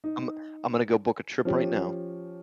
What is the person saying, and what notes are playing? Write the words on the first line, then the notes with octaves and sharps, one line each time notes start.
I'm I'm gonna go book a trip right now.
D#4
F3 C#4 G4